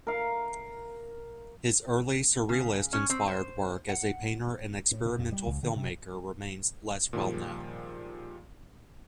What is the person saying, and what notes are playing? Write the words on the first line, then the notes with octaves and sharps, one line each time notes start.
His early, surrealist-inspired work as a painter and experimental filmmaker remains less well known.
A#4 F5
C#3
C#4
C4
C5
F#5
A2
B2
F2
G3
C#2
D3
C3
A#2 D#3 F3 G3 G#4